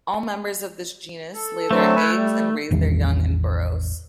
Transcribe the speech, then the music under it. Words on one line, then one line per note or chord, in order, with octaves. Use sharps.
All members of this genus lay their eggs and raise their young in burrows.
A4
D3 F#3 A3 C4
B4 G#5
G3
A1 E2 D#3 G3